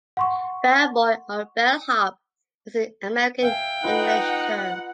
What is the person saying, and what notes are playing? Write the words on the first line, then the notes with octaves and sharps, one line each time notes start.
"Bellboy" or "bellhop" is an American English term.
F#5 C6 C#6
E5 F5 G5 G#5
D#4 F4 B4 F#5